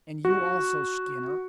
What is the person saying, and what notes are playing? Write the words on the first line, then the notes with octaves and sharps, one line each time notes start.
And you, also, Skinner?
F#4